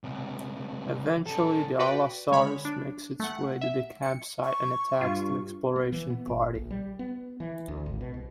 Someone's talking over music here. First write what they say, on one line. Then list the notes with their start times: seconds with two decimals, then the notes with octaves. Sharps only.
Eventually, the "Allosaurus" makes its way to the campsite and attacks the exploration party.
0.04 C#2 C3
1.26 C#4 A4
1.79 F#4 B4 D5 G5
2.31 D3 G#3 C#5 B5
2.65 D4
3.20 A3 F#5
3.61 E5
4.02 C#7
4.44 C#6
5.01 G2 F4
5.76 B3
5.92 E3
6.10 B3
6.27 G1
6.55 A#1
6.71 G3
6.99 B3
7.40 E3
7.68 D2
7.86 G#1
8.01 B2
8.14 C2